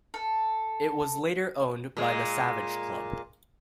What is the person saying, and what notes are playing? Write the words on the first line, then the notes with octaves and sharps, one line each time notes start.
It was later owned by the Savage Club.
A4
A#2 G#3